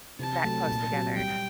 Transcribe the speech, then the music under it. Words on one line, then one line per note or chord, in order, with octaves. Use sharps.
that close together.
C3 A5
F#3 A3 C4
A#2
F#3 C4 G4
G3 G5